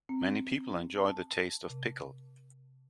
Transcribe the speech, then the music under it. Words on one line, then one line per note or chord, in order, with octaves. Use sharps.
Many people enjoy the taste of pickle.
C4
A5
C3